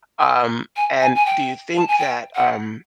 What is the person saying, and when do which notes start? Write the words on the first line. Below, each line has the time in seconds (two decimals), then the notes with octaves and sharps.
um, and, do you think that, um,
0.77 G#5
1.01 G#5
1.15 G#5
1.26 G5
1.77 A5
1.88 G#5
1.98 G5
2.35 F#5